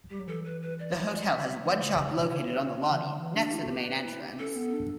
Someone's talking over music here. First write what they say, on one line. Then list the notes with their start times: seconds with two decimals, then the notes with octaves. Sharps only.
The hotel has one shop located on the lobby next to the main entrance.
0.10 G3 G4
0.19 F#3
0.27 E3 A4
0.45 B4
0.62 B4
0.79 D5
0.96 F#3 C#5
1.13 D5
1.31 E5
1.48 E5
1.64 E3 C#5
1.81 C#3
1.92 D3
1.98 C#3
2.16 B2
2.33 C#3
2.91 E3
3.02 D3
3.19 E3
3.35 D4 F#4
3.48 G4
3.53 E4
3.59 F#4 A4
3.70 G4 B4
4.04 E4
4.22 G4
4.39 C#4 A4
4.56 B3
4.73 D4